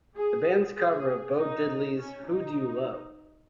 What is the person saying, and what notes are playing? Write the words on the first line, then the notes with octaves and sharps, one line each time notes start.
The band's cover of Bo Diddley's Who Do You Love?
G#4
G#4
D#4
C#4
D#4